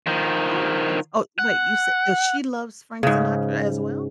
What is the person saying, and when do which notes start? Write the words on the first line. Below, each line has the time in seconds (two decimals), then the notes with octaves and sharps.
Oh, nice oh, wait, you said so, she loves Frank Sinatra, as well?
0.07 D#3 F3
1.39 F#5
3.03 G#2 C#3